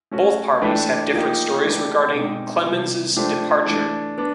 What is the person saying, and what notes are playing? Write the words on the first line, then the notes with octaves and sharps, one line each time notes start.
Both parties have different stories regarding Clemens's departure.
A3 C#4 F#4
E3 A3 D4 G4 B4
F3 A#3 D#4 G4
E3 A3 D4 G4 B4
B2 G#3 C4 D#4 G4
C3 E3 G3 B3
F3 A3 D4 G4 C5
E3 A3 D4
B3 D4